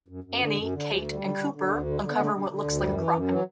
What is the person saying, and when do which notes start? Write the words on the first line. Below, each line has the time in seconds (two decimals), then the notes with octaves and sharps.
Annie, Kate, and Cooper uncover what looks like a crime.
0.08 F#2
0.24 F#2
0.40 D3
0.57 F#2
0.73 D3
0.89 D2 F#3
1.05 D3
1.12 G3
1.20 D3
1.36 D3
1.52 D3
1.69 D2
1.85 D3
2.01 D3
2.11 B3
2.16 D3 A3
2.33 D3 G3
2.48 D3
2.65 D2
2.81 F#2 G3
2.96 E3
3.13 F#2
3.29 E3 F#3